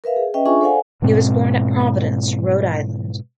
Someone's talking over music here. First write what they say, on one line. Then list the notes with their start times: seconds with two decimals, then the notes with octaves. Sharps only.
He was born at Providence, Rhode Island.
0.04 A#4 B4 E5 F5
0.16 G#4
0.34 C#4 B4 D#5 E5 G5
0.46 D4 F4 G#4 E5 G#5 C#6
0.61 A4 C5 D5 F5 F#5 G#5
1.02 G#2 B2 G#3 C4